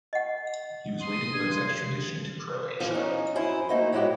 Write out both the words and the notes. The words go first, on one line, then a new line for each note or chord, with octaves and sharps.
He’s waiting for his extradition to Croatia.
D#5 F#5
C6 D#6
G2 G#6
E3 F3
C#4 D#4
F#2 E4 C5 G#5
A3 A#3 D#4 F#4 C5
F#3 G#3 E4 F#4 G4